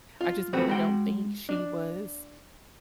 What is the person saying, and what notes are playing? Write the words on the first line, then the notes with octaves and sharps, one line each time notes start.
I just really don't think she was,
F4
E3 A3 B3 C4 F#4 B4
G#3 F#4 G5
D4